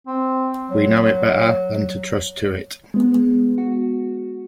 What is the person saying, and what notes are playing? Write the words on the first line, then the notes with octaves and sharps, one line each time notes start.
We know it better than to trust to it.
C4
F#3
G#3 B3
F#4